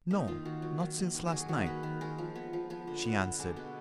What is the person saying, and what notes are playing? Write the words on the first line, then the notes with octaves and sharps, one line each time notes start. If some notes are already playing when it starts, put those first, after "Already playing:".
"No--not since last night," she answered.
A#3 D#4
D#3 F4
D#3 F#4
F#3
D#3
A#3
D#3
F#3 G#4 A#4
G#4
D#3 F#4
A#4
A#3 B4
D#3
G#3 A#4
F3
B3
F3
F3 B3
D3
B3
D3
G#3 D4
B2 B3